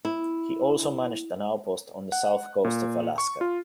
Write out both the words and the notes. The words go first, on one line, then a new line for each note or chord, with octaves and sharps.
He also managed an outpost on the south coast of Alaska.
E4
F#5
A#2
C#6
F4